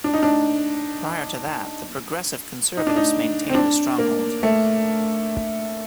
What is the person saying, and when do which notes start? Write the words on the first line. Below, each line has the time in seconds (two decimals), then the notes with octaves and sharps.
Prior to that, the Progressive Conservatives maintained a stronghold.
0.04 D4
0.14 D#4
0.23 D4
2.77 D#4
2.87 D4
2.96 D#4
3.49 C4
3.55 D4
3.98 A#3
4.43 A3